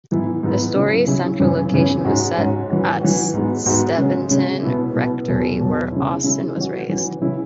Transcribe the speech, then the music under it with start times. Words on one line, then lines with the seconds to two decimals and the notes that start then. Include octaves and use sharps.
The story's central location was set at Steventon rectory where Austen was raised.
0.11 G#2 E3 B3 E4
0.43 G#2 E3 B3 E4
0.76 C#3 F#3 E4
1.07 C#3 F#3 E4
1.40 F#2 C#3 E3 C#4
1.72 F#2 C#3 E3 C#4
2.05 G#2 G#3 C#4 F#4
2.37 G#2 G#3 C#4 F#4
2.69 E3 C#4 F#4
3.01 E3 C#4 F#4
3.34 G#2 G#3 B3 F#4
3.66 G#2 G#3 B3 F#4
3.98 C#3 G#3 C#4
4.31 C#3 G#3 C#4
4.63 B2 B3 E4
4.96 B2 B3 E4
5.28 E2 B2 F#3
5.60 E2 B2 F#3
5.92 C#3 G#3 E4
6.24 C#3 G#3 E4
6.57 E3 C#4 F#4
6.89 E3 C#4 F#4
7.21 C#3 E3 C#4 E4